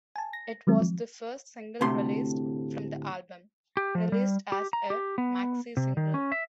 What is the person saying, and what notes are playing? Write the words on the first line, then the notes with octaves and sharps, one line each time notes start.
It was the first single released from the album, released as a maxi-single.
G#5 A5
A#6
D#3 F#3 G#3 C4
F3
D2 A2 C3 C6
G4
F3
G3
G4
A#5
G4
B3
C3
D#3
C#4
E5